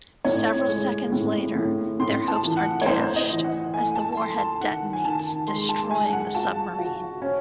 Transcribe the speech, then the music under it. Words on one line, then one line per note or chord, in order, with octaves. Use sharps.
Several seconds later, their hopes are dashed as the warhead detonates, destroying the submarine.
A2 C#5
G#3
A2
A2
A2 C6
A5
E3
F#5
C#5
A2 C5
D#5
E3
F#5
A3 G#5
A5
A5
A3 C6
A5
D#3 F#5
G#5
D#3 A5
G#3 C6
A5
G#3 G#5
F#5
F#4 A5
F#4
C#4